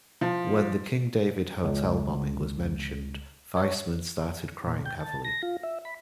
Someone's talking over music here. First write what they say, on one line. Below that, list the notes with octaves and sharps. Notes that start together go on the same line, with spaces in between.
When the King David Hotel bombing was mentioned, Weizmann started crying heavily.
F3
C#2
C#5
A#2
G5
A5
A#6
F4
E5
B5